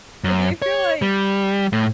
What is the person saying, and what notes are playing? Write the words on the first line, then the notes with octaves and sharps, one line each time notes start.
And do you feel like
F#2
C#5
G3
A2